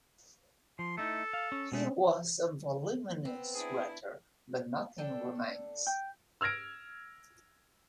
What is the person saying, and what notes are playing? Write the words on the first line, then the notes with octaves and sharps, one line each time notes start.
He was a voluminous writer, but nothing remains.
F3 C6
A3 D#4 E4 A4
F5
C#4
B2 G#3 A3
B3 C4
D4 E4 G#4
D4 A4 G5
G5
E6 F6 G#6 A#6 D7